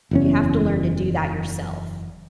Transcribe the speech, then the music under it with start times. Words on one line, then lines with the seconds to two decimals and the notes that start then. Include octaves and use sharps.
you have to learn to do that yourself
0.11 F#1 E2 C#4